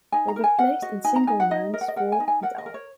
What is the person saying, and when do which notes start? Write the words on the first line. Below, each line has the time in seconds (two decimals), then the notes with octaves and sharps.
They were placed in single mounts fore and aft.
0.12 D#4 G#5
0.28 A#5
0.36 A#4
0.44 G#5
0.59 A#4 F#5
0.82 F#4 D#5
1.04 D#4 G#5
1.16 A#5
1.27 D#4 G#5
1.40 F#5
1.51 D#4 D#5
1.73 A#4 D#5
1.81 F#5
1.88 D#5
1.96 A#4 F#5
2.12 G#5
2.20 D#4
2.28 G#5
2.42 A#4 F#5
2.58 D#5
2.66 A#4
2.74 C#5